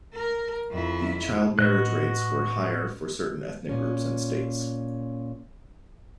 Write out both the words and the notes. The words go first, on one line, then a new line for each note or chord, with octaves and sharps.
The child marriage rates were higher for certain ethnic groups and states.
A#4
F2 E4
A2 F#4 B4 D#5 F#6
A#2 C#4